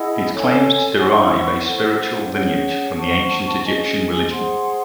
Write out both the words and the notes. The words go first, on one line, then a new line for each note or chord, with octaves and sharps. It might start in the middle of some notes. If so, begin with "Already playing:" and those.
It claims to derive a spiritual lineage from the Ancient Egyptian religion.
Already playing: E4 G#4 D#5 F#5
A4 C#5 G#5
E4 C5 F#5 C#6
E4 A4 C5 F#5
C#4 G#4 C#5 F#5
C5 F#5 A5 C#6
C#4 G#4 D#5 G#5
G#4 C5 F#5 C6